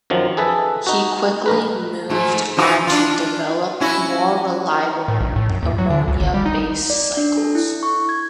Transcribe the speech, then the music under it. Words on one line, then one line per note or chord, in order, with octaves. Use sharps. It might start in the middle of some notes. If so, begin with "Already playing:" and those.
He quickly moved on to develop more reliable ammonia-based cycles.
F#2 D#3 F3 F#3
G#4 A4 B4 E5 A5
D#4 F#4
A#1 A#4 B4
G#2 A3
F3 D#4 F#4
D4 F4
C#4 E4 F#4
A2
A#1
A2
F#2
D#2
F#3
D3
C#2
G#1
G3
D#4
D5
D4
A4
E4
C#6
G#6